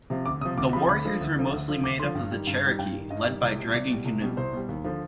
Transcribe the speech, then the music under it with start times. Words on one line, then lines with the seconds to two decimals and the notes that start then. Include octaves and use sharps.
The warriors were mostly made up of the Cherokee, led by Dragging Canoe.
0.10 C3 F3
0.26 D2 D6
0.41 C3 D#6
0.45 F3
0.58 D2 D6
0.73 C3 F3 B5
0.89 D2 B5
1.05 D3 F3
1.21 D2
1.37 D3 F3
1.52 D2
1.68 D3 F3
1.84 D2 D6
2.00 D3 F3 C6
2.15 G2
2.32 D#3 G3
2.47 G2
2.63 D#3 G3
2.79 G2 G5
2.95 D#3 G3
3.10 G2 D#5
3.26 D#3 G3
3.42 C2 D5
3.58 B2 G3
3.74 C2 D5
3.89 B2 G3
4.05 C2
4.21 B2 G3
4.37 C2 C5
4.53 B2 G3
4.69 D#2
4.84 D3 F3